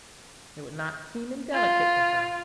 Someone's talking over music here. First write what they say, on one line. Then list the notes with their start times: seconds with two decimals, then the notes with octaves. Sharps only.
It would not seem indelicate to her.
1.54 F4